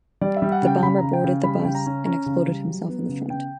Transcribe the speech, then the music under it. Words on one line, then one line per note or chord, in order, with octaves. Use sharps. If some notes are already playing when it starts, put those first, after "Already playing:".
The bomber boarded the bus and exploded himself in the front.
G3 D5
E5
G3
F#5
C#3 G5
C#3 B5
C#3 A#5
G5
C#3
G3 B5
C#3 G5
A#5
C#4
C#4 A#5
C#3
G3
F#3
B3
C#3
C#3 G5